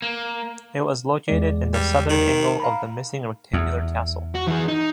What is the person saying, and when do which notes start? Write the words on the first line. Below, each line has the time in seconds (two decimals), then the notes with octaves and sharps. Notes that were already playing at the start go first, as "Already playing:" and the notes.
It was located in the southern angle of the missing rectangular castle.
0.02 A#3
1.28 E2 G#3 D5
1.73 G3
2.09 D#3
2.60 F5 A#5 B5
3.53 E2
4.34 F#4
4.47 E3 G#4
4.68 D#4